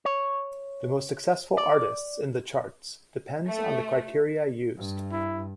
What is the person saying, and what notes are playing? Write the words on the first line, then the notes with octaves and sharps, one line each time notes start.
The most successful artists in the charts depends on the criteria used.
C#5
D5
A3
G2
E4